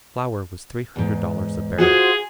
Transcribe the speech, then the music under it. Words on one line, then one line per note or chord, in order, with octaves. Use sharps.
Flour was three hundred dollars a barrel.
E2 G#2
F4 F#4 G#4 C5